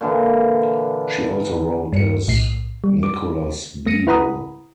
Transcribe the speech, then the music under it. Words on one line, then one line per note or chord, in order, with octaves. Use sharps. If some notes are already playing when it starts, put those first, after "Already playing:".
She also wrote as Nicholas Bevel.
A#2 D3 E3
G2 C#7
B1 A2 C7
G3
D6
A3 A#6 C#7 D#7
E4 B4 F#5 A#5 B5 D#6